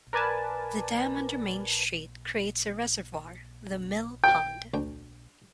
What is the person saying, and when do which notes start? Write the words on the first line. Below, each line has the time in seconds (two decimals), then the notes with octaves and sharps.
The dam, under Main Street, creates a reservoir, the Mill Pond.
0.13 A#4 B4 D5 G#5 A5
4.24 G5
4.74 D2 G5